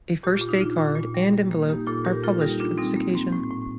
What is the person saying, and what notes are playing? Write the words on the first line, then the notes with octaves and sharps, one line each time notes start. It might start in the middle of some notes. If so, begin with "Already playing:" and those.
A First Day card and envelope are published for this occasion.
A#2 G4
A#2 F4
D#4
A#2 D4 F4
A#2
A#2
G3
A#3
A#3
A#3 D#4 G4
A#2 F4 A4
A#2 G4 A#4
A#3 F4 A4
G3 D#4 G4
A#3 D4 F4
G3 C4 D#4
A#3
A#3 C4
A2
A2